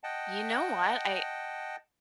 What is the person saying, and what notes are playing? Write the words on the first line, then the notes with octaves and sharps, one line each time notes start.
You know what? I
D#5 F#5 G5 A5